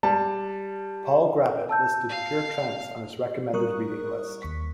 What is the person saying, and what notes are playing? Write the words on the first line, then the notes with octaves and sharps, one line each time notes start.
Paul Gravett listed "Pure Trance" on his recommended reading list.
G3 A5
A5 E6 G6
F5
G3 A#4 C#6 D#6 F#6
D#2 C#6 B6